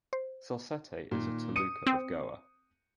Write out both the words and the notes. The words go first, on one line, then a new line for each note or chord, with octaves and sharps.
Salcete is a taluka of Goa.
C5
A#2 D#3
D#6 C#7 D#7
C4